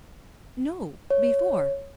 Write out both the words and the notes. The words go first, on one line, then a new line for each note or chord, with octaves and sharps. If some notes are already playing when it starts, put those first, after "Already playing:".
"No, before."
C#5